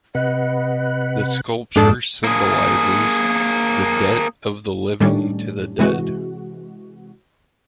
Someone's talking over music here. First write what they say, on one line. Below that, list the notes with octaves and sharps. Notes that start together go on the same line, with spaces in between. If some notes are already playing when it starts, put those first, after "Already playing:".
The sculpture symbolises "the debt of the living to the dead".
C3 B4 D#5 F#5
F2 G#2 G#3 D4 A4 D5 D#6
A#3 G#4
A2 D#3 G3 C#4 D4
C3 E3 G#3 F#4